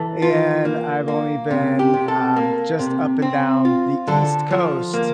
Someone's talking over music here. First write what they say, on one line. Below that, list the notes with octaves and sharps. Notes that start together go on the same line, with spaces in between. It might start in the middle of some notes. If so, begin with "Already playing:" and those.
and I've only been, um, just up and down the East Coast,
Already playing: E3 A4
F4
A#3
A#3
C3
G4
C3
A4
A#3
C3
C4
F4
D3 A4
F3
A#3